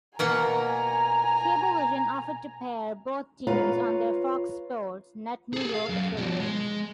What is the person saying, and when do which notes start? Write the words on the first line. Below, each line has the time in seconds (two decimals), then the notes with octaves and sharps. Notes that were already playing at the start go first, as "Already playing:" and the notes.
Cablevision offered to pair both teams on their Fox Sports Net New York affiliate.
0.19 B2 A#3 F#5 G#5 A#5
3.47 F4 B4 C#5 F5 A#5
5.53 G#4 A4
5.74 F5
5.89 F#2
6.17 B2 F3
6.40 G#3